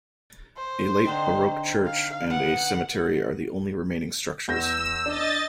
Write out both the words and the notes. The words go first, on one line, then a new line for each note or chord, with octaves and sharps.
A late baroque church and a cemetery are the only remaining structures.
C5
D3 C4 D#4
F5
B3 F#5
E2 E6 G6 A#6
D4 D#5 A6